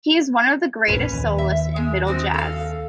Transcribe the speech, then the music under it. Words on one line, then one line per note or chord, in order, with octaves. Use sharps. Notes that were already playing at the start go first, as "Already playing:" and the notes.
He is one of the greatest soloists in middle jazz.
A#1 F2 A#2 C#4 B4
D#2
E5
G#3
G#3 C4 F#4
A4 F5